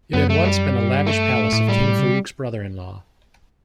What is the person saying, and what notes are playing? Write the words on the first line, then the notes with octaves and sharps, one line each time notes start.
It had once been a lavish palace of King Farouk's brother-in-law.
F#2 B3
A3
G3
G2
A3
A2
A2
G3
C#3